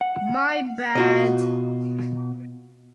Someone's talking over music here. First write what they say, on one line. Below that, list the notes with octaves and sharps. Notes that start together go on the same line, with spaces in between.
My bad!
F#5
B2 F4 F#4 D#5